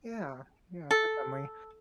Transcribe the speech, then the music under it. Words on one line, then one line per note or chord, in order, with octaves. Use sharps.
Yeah, yeah, definitely.
A4